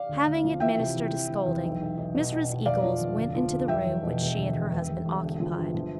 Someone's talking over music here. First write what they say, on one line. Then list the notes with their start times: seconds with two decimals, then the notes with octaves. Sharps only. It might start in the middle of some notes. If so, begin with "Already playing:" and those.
Having administered a scolding, Mrs. Eagles went into the room which she and her husband occupied.
Already playing: D5 F5
0.09 D2
0.27 D2
0.44 F3
0.60 E3 E5 G5
0.78 C3
0.95 E3
1.12 E3
1.29 E3
1.46 E2
1.63 B1
1.81 B1
1.98 B1
2.15 B2
2.32 B2
2.50 B2
2.66 F1 D5 F5
2.83 F3
3.01 F1
3.17 D2
3.35 F3
3.52 D2
3.68 F1 E5 G5
3.86 E2
4.03 B2
4.20 E1
4.38 D2
4.55 E1
4.72 E1
4.89 E1
5.05 E1
5.23 D3
5.40 F3
5.57 G1
5.75 F3